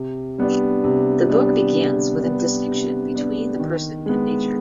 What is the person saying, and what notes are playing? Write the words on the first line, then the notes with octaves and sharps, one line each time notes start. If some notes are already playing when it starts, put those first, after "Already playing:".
The book begins with a distinction between the person and nature.
Already playing: C3
G3 B3 D4
C3
G3 B3 D4
C3
G3 B3 D4
C3
G3 B3 D4
D#3
G#3 B3